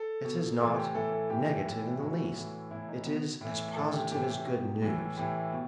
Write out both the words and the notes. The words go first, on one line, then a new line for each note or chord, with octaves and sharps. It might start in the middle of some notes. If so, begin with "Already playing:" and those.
It is not negative in the least; it is as positive as good news.
Already playing: A4
B2
A2 E3 A4
G4
A2 E3 A4
A4
A2 E3 G4
A2 E3
A2 E3 F#4
A2 E3
A2 E3 E4
D#4
B2 B3
A2 E3
A2 E3 A4
G4
A2 E3 G4
G4
B2
A2 E3
A2 E3 G4
B2